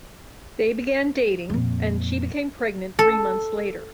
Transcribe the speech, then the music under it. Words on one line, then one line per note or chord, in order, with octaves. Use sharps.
They began dating, and she became pregnant three months later.
F2 A#2
A4